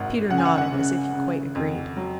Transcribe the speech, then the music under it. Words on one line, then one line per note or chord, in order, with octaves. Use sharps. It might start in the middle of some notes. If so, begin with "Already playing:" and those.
Peter nodded as if he quite agreed.
Already playing: G#1 F#2 F#5
C#3 F#5
G#5
F#5
F#5
C#3
C#3
F2
F#3